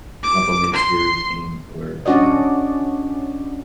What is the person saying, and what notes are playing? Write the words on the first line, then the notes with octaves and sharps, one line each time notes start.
complimentary things or, uh,
D6
C6
C#4 D4 F#4 D5 D#5